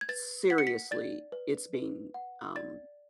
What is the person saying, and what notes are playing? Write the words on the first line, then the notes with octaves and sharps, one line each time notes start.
seriously, it's being, um
G#6
B4 A6
F#5 B6
C#7
B6
D5 A6
B4
B4
F#5
D5 A6